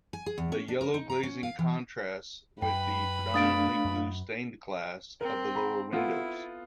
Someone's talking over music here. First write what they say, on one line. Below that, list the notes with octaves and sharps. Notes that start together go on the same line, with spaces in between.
The yellow glazing contrasts with the predominantly blue stained glass of the lower windows.
G#5
G#4
E2
C#4
D4
A#4
D#4
A#5
C#4
F5
E3
F#2 B4 G5 B5
A3 D4 F5 D#6 A6 D7
F#2
C4 A#4
A#5 B5
B3 E4 F4 A4